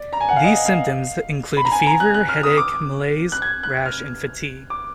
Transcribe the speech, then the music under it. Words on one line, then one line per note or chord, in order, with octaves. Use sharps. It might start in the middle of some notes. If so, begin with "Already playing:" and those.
These symptoms include fever, headache, malaise, rash and fatigue.
Already playing: D5
A#5
G#5
F#5
F5
D#5
F5
B5
A#5
G#5
A#5
F#6
F#6
F6
D#6
D6
F#6
G#6
F#6
F6
D6